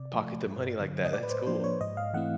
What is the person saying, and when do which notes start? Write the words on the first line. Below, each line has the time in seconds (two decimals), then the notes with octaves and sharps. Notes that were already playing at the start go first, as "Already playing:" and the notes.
Pocket the money like that, that's cool.
Already playing: C3 D5
0.13 F3 A3
0.47 G2
0.79 D3 F#3
1.05 D#5
1.13 A2 D5
1.23 B4
1.30 C5
1.46 F3 A#3 D4 C5
1.64 C#5
1.81 G#2 D#5
1.97 F5
2.13 E3 A3 C4 E4 F#5